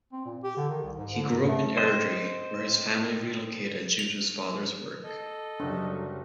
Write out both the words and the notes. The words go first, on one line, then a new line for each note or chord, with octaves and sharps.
He grew up in Airdrie, where his family relocated due to his father's work.
C4
A#2
G4
D3
D#3
C2
G#2
D3
G#2
A3
C4 C5 D#5
F7
A4 D#5
F#1 F#3 G3 D4